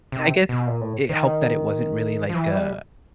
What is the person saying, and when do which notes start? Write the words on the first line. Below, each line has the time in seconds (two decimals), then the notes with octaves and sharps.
I guess it helped that it wasn't really like a
0.12 C3
0.49 B2
0.67 A#2
0.81 A2
1.09 D#3
2.30 F3
2.35 E3
2.52 G3